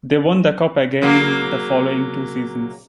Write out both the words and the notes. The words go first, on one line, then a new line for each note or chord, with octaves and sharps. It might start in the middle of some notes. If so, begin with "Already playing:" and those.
They won the cup again the following two seasons.
C#3 F#3 A#3